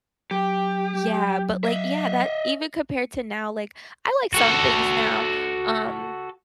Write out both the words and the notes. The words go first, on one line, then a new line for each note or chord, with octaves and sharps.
Yeah, but, like yeah that even compared to now, like, I like some things now, um,
F#3 G4
D#5 E5
F#4 A4